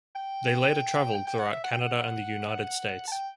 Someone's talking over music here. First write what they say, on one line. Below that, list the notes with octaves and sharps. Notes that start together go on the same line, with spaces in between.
They later traveled throughout Canada and the United States.
G5
G5
G5
F#5
E5
F#5
G5
F#5
A5
G5